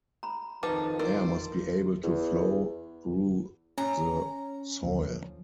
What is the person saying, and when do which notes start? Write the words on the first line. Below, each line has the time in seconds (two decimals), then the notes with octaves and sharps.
Air must be able to flow through the soil.
0.23 A#5 B5
0.63 F2 D#3 F3 D#4 B4 F#5 A5 D6
0.99 E4 A#4 C5 D5
2.03 E2
3.78 C#4 A#5
4.82 D#1 D#2 D3
5.10 F3